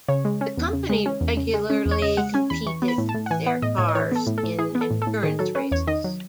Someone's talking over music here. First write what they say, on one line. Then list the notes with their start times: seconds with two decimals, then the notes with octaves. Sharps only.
The company regularly competed their cars in endurance races.
0.08 C#3 C#5
0.25 G#3
0.41 C#4
0.57 E2
0.73 C#3
0.89 G#3
1.06 C#4
1.21 E2
1.37 C#3
1.54 G#3
1.70 C#4
1.86 E2
1.91 C#5
2.02 C#3 D#5
2.17 G#3 F#5
2.34 C#4 G#5
2.50 E2 B5
2.66 E3 C#6
2.82 B3
2.88 B5
2.98 A2
3.09 A5
3.14 A2
3.26 F#5
3.31 E3 G#5
3.46 B3 F#5
3.62 A2 D#5
3.78 A2 C#5
3.88 D#5
3.95 E3 C#5
4.11 B3 A4
4.27 A2
4.38 A4
4.43 A2
4.58 E3 G#4
4.75 B3
4.81 A4
4.91 A2
5.02 A4
5.07 A2
5.23 D#3 G#4
5.39 F#3 A4
5.55 C#4 B4
5.71 E2 C#5
5.87 D#3 D#5
6.04 F#3